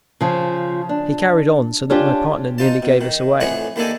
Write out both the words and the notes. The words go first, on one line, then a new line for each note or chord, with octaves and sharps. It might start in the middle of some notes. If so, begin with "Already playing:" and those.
He carried on so that my partner nearly gave us away.
C#3 F3
D4
C#4 D4 F4 G4
D#4 F4 A5
B2
D#3
F2 A2 E3 G#4 C#5 F#5
D#2 D#3 A#3 D4 A4 G#5